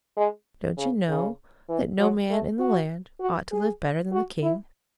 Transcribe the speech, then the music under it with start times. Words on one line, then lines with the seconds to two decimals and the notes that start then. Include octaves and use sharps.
Don't you know that no man in the land ought to live better than the king?
0.17 G#3
0.78 C#3
1.09 C#3
1.69 E3
1.99 F#3
2.30 A3
2.59 F#4
3.20 F#4
3.51 G#4
4.12 F#4
4.42 E4